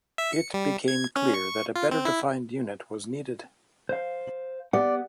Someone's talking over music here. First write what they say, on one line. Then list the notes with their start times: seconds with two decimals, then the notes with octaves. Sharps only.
It became clear that a better-defined unit was needed.
0.18 E5
0.33 C#7
0.54 G3
0.88 G#6
1.16 C#4
1.34 C#6
1.76 F4
1.91 C4
2.05 E4
3.89 C5 F5
4.73 B3 G4 D5 F#5